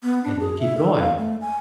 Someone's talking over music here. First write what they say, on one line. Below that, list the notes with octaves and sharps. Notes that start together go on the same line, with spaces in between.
and they keep going,
B3
D4
G#4
E5
A4
F5
A3
G#5